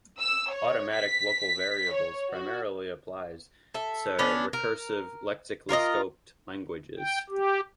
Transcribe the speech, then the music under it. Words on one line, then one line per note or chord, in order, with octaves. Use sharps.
Automatic local variables primarily applies to recursive lexically-scoped languages.
E6
C#5
B6
C#5
F#4
A4 E5
B3 C#4 D4
A#4
F4 A#4 D5 D#5
G5
G4